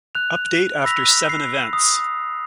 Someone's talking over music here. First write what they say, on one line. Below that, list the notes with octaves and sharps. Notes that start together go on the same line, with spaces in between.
Update after seven events.
F#6 F7
B5 E6 A#6 B6 F7
C7
D#6